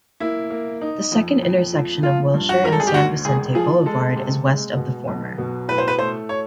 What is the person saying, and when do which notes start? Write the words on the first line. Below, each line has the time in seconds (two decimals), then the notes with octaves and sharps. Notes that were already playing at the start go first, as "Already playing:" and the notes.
This second intersection of Wilshire and San Vicente Boulevard is west of the former.
0.20 A#3 E4
0.50 A#3
0.81 D#4
1.12 F2
1.42 F2
1.73 F3
2.03 F3 F4
2.34 G2
2.49 F#4
2.64 G#1 A#4
2.72 A4
2.80 G#4
2.87 G4
2.94 D2 F#4
3.25 E1 G#4
3.55 F3 G#4
3.86 G#3 A4
4.16 C3
4.47 G#3
4.77 B2
5.08 B1
5.38 B2
5.68 A2 B4
5.78 C5
5.88 B4
5.98 A3 C5
6.29 C#5